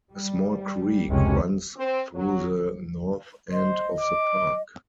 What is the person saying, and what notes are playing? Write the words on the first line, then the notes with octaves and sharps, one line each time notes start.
A small creek runs through the north end of the park.
G3
F1 C#2 C3 C#4
C4
F#3
C5 D#5
D6